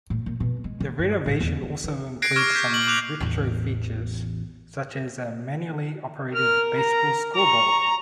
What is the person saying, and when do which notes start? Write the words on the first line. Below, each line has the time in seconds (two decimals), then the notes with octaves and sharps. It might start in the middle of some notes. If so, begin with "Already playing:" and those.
The renovation also includes some retro-features, such as a manually operated baseball scoreboard.
0.10 A2
0.26 A#2
0.40 B2
0.64 G#3
0.80 D3
0.99 G2
1.26 A1
1.40 E2
1.63 D3
1.84 E3
2.22 F#6 G#6 A#6 C7 D7
2.36 C#6 D6 F6 G#6 A#6
2.55 G6 B6
2.70 C#6 F#7
2.88 D6 F#6 F7
3.20 A1 E2
6.35 A#4 F6
6.78 A#5
7.35 A#5 C#6